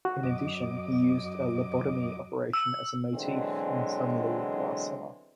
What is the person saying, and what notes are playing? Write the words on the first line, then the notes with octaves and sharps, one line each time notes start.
In addition, he used a lobotomy operation as a motif in "Suddenly, Last Summer".
F#4
F#2 D#5 D6
E6
B2 D3 E3 F#3 G#3 C4